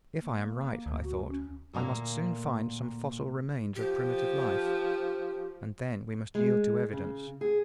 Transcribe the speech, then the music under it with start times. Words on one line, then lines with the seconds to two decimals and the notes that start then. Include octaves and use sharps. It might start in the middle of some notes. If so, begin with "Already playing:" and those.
If I am right, I thought, I must soon find some fossil remains of primitive life; and then we must yield to evidence.
0.22 A#3
0.86 D2
1.04 F#4
1.28 C#4
1.73 D2 A#2 A#3 A#5
3.75 F3 G4
6.35 G#3
6.93 C#3
7.41 G#4